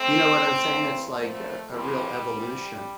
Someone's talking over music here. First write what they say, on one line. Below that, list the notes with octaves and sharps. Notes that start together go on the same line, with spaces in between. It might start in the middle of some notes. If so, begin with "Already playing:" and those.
you know what I'm saying? It's like a a real evolution,
Already playing: A3 C4
E2 E3
G2 E3
F2 D3 F3 A3
F2 E3 G3
D2 C3 E3